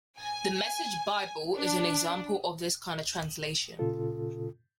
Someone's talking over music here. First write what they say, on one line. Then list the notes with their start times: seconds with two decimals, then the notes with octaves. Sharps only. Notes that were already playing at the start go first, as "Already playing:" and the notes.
The Message Bible is an example of this kind of translation.
0.18 G#5
1.56 D4
3.79 A#2 C#3 C#4 F4 A4